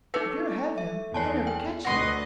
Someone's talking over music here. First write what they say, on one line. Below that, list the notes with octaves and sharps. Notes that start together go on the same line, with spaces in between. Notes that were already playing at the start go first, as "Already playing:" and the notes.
If you're ahead of him they'll never catch you.
A3 D#4 B4
E5
E2 C#5 G#5 A5
G5
D2 F#4 B4 D#5 C6